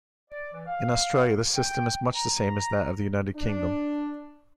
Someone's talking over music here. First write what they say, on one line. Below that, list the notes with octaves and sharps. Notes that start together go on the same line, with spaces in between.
In Australia, the system is much the same as that of the United Kingdom.
D5
E3
F5
G5
A#5
D4